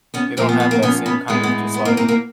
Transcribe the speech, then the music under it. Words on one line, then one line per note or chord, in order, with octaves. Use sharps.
they don't have that same kind of just, like
B3 C#4
A#2 F3 A3 A#3 C4
B3
B3
A#3 C4
B3 C#4
B3 C#4
A2 E3 G#3 B3
B3
B3
A#3 C4
A#3 C4
A#3 C4